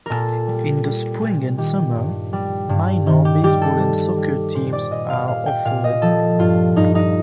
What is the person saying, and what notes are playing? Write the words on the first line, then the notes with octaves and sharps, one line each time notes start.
In the spring and summer, minor baseball and soccer teams are offered.
A#2 A4 A#4
G3
G3
A#2
D#3 G4
G2
G3
G2
D#3
G4
G3 G4
A4
G3
G3
A#2 C5
D5
A#2 D#5
F5
A#2 F5
G5
A#2 F5
D#5
F3 A4
G2 F4
G2 D#4
D#4